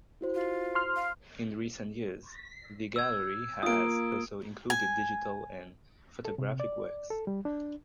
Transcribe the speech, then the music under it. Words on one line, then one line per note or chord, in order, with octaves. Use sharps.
In recent years the gallery has also included digital and photographic works.
E4 F#4 C5
F4
C6 F6
F5
E6 G#6
A#3 F4 D#6 D7
G#5
A4
C3
D5
A4
G3
D4